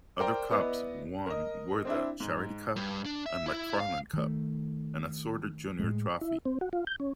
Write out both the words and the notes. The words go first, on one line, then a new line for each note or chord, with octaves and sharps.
Other cups won were the Charity Cup and McFarlane Cup and assorted Junior trophies.
A#4 C5 D5 G5 A#5
B3 E4 B4 D5 D#5
A#4 D#5
C4 D4 E4
G#2
G2
D4
E5
E4
F5
D#3 A3
A2 G#3
E4
C4
F#4
F4
G6
C#4